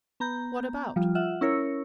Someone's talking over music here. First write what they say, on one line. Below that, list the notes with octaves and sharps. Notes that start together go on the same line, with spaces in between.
"What about?"
B3 A#5 G6
F3 G3 F4
F4 E5 F#5
C#4 E4 A#4 C#5